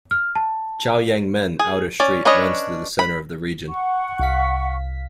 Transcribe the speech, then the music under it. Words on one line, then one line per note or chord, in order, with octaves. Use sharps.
Chaoyangmen Outer Street runs through the centre of the region.
F6
A5
G#4
C#4 D5
C#4 D4 B4 C#5 D#5
B5
F#5 C#6
C2 F5 B6